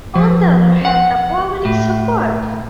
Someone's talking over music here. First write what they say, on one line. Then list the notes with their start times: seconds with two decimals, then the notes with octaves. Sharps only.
On the other hand, the quality suffered.
0.15 F3
0.85 F#5
1.65 A2